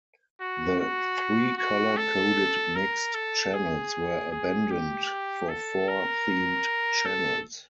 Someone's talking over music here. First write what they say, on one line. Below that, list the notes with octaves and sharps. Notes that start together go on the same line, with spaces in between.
The three colour-coded mixed channels were abandoned for four themed channels.
F#4
F#4
F#4
A4
A#4
A4
G#4
G#4
G4
A4
A#4
A4